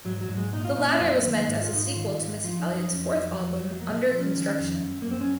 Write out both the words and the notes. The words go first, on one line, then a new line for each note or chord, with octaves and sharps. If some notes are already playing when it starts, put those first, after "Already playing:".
The latter was meant as a sequel to Missy Elliott's fourth album "Under Construction".
G#2 F#3
F#3
G#2
G#3
A#2 D#4
F4
A#2 D#4
C#4
F#2 C4
A#3
D#3
A#3
G#2
F4
G#2 D#4
F4
D#3
G#2
F3 F4
D#4
F#2
D#4
F2 C#4
C4
F2 F#3
F#3
F2 F3
G#3
F#3
F2
F#3
A#3
A#2 G#3
C4
F3
C#4
D#3
F2
F#2
A#3
F#2 C4
C#4